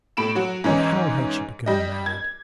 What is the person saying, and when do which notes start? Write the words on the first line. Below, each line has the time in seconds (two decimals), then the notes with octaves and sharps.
But how had she become mad?
0.17 A2 B5 D7 E7
0.35 F#3 F#4
0.64 G#2 E3 C#4 D#4
1.66 G3 D#5
2.06 G#6